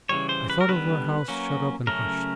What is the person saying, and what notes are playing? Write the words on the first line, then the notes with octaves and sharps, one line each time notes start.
I thought of our house shut up and hushed.
C#3 E3 G3 C#5
C5
B4
A#4
D3 G3 B3 B4
F#3 A#3 C#4
C#3 F#3 A3 C#4 A#4